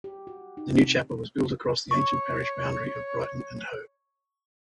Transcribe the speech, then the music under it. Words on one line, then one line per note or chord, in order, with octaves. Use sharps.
The new chapel was built across the ancient parish boundary of Brighton and Hove.
G4
F#4
D#4
C3
C#5 C#6